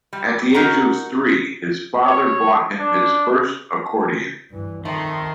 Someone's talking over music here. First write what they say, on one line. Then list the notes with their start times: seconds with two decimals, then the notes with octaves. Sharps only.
At the age of three, his father bought him his first accordion.
0.13 G3
0.54 D#4 F#4 A#4 C#5 F#5 A#5
2.05 C#5
2.79 D4
4.51 G2 E3
4.85 F2 D#3 A3 D#4 C6